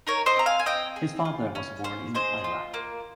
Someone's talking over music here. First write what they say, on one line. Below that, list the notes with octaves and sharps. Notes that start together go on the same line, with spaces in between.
His father was born in Iraq.
D#4 A#4 C#5
C5 D#5
C4 A#5
F5 G#5
G#5
C4 D#5 G5
G#4
F4
C#4
C#4 C5
G#4 C5 D#5
F4
A#3